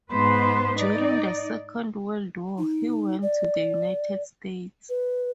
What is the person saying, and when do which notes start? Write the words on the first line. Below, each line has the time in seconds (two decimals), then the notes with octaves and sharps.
During the Second World War, he went to the United States.
0.11 G#2 B3 B4 C5
0.78 D#4 D5
2.58 D#4
3.22 D5
4.89 B4